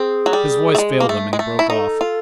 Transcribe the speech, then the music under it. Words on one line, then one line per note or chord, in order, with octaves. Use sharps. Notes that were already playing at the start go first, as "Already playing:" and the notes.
His voice failed him, and he broke off.
Already playing: C4 G#4
F#3
G3
A3
G#3
A#3
A3
G#3
A3
E4
D#4 A4
F4